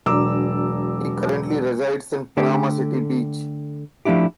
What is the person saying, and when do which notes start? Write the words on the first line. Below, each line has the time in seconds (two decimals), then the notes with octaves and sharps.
He currently resides in Panama City Beach.
0.06 E1 F#3 D4 A#5 D6 E6
2.37 D3 A3 G4
4.05 F3 A3 D4 E4 G4